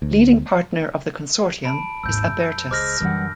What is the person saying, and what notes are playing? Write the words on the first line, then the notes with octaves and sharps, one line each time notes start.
Leading partner of the consortium is Abertis.
D2
A5 B5 D7
G#1 D#2 E6 G6
F#2
C#2 G#4 C5 D#5 D6 F6 A#6
F#2 D3 E3 G3 F#5